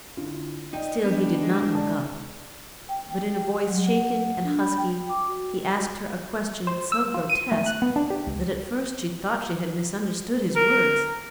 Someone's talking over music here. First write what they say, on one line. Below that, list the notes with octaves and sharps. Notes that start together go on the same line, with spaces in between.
Still he did not look up, but in a voice, shaken and husky he asked her a question so grotesque that at first she thought she had misunderstood his words.
D3 E4 F4
D#4 D5 D#5 G5
B3 D4
G#3
D5 A5
G5
G5
G4
F#3
F#5
D4
B5
G5
D6
F#4
C5
E6
F4
D#7
A3
F#6
B3
D4
G4
C#2
A#4